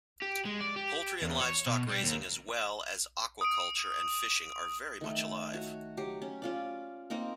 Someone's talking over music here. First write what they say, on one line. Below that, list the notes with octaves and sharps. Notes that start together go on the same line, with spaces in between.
Poultry and livestock raising as well as aquaculture and fishing are very much alive.
G4
G#3
D5
G4
E2
C#5
B2
G3
D#2
D#6 D7
D#3 A3
F#4 C#5
F#3 G4
C#4
C#4 F4 D5
A#3 C4 D#4 A#4